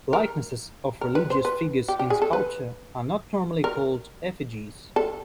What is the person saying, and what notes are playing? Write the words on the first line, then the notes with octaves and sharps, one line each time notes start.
Likenesses of religious figures in sculpture are not normally called effigies.
A#4
A#4
B4
C5
B4
G4
G4
G#4
A4
B4
A#4
A4